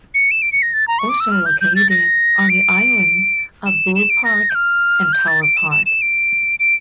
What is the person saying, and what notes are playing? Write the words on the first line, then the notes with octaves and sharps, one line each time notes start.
Also located on the island are Blue Park and Tower Park.
C#7
E7
D7
C#7
A#6
A6
A#5
C#6
D6
E6
F6
G6
G6
A6
A#6
D7
E7
E7
D7
A#6
G6
F6
G6
A6
D7
E7
E7
E7
D7
D7